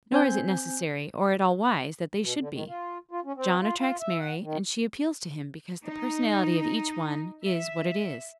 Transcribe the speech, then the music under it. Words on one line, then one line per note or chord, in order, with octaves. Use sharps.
Nor is it necessary, or at all wise, that they should be. John attracts Mary, and she appeals to him, because the personality of each one is what it is.
C4 G#5 G6
B2
D3
D#3
F4
F4
C#4
C4
F4
F4
E5
F#5
D#3
D#4
E5